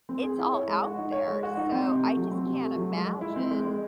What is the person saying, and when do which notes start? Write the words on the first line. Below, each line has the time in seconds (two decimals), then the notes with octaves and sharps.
it's all out there. So, I just can't imagine
0.09 C4
0.23 G#4
0.38 E4
0.53 C#5
0.68 G#3
0.82 F#4
0.98 D#4
1.12 C#5
1.27 G#3
1.43 F#4
1.57 D#4
1.72 C4
1.87 C3
2.03 A3
2.16 F#3
2.31 C4
2.46 C3
2.62 A3
2.76 F#3
2.91 G#3
3.06 G#3
3.21 E4
3.36 C4
3.51 G#3
3.65 G#3